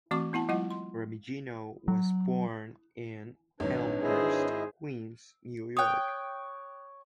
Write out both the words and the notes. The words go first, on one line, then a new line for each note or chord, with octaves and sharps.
Remigino was born in Elmhurst, Queens, New York.
E3 A3 C4 F#4 C#6 D6
B3 E4 F#5 A5
F#3 G#3 E4 F4 D#5 F#5
C6
F#3
G#1 F#3 D4 B4 C#5
E4 G#4 C5 D#5 E5
C#5 G5 D#6 F#6